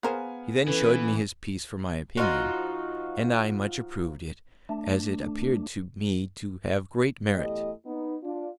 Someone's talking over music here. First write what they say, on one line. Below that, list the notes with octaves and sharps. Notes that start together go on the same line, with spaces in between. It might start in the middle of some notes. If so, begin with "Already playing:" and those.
He then show'd me his piece for my opinion, and I much approv'd it, as it appear'd to me to have great merit.
B3 G#4 A#4 C5 F5 G#5
E3 C#4 A4 B4
F3 D#4 F4 F#4
A3 D4
E2 A3 E4 G4 D#5
B3 D#4
D4 F4